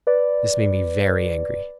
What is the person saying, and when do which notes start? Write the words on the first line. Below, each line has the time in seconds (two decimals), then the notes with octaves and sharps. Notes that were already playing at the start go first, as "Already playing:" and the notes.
This made me very angry.
0.07 B4 D5